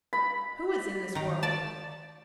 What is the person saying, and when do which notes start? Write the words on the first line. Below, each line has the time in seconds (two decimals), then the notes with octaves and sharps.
"Who is in this world?"
0.13 B5
1.15 D#3 A#5
1.43 D5 A5